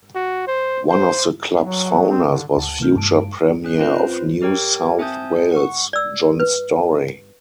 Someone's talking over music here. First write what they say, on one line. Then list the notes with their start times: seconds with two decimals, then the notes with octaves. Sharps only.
One of the club's founders was future Premier of New South Wales, John Storey.
0.15 F#4
0.47 C5
0.89 C5
1.58 F#3
2.09 C4
2.29 D3
2.57 D2 F#5 A5
2.80 C3 E3 A#3 E4 F6 G6
2.96 G2 G#3 A5 D7
3.64 C#4 F#6
3.79 C4 F4 B4 C5
4.42 G4 A#4 C#5 G5
4.99 C4 E5 G#5 A5 D#6 G6
5.52 F#5 C#6
5.93 D5 E6
6.40 B4